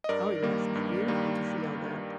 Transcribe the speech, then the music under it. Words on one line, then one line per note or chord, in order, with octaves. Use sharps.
Oh yes, it's beautiful to see all that.
D#5
G2 A#4 D5
D#3 G3 A#3
G2
D#3 G3 A#3